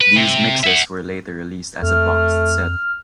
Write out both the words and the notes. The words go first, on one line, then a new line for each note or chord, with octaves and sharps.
These mixes were later released as a boxed set.
B4
C3
E5 F#5
F2 A3 F6